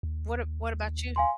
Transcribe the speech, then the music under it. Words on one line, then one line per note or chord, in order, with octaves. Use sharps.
What a what about you?
D#2
F5 G#5 C6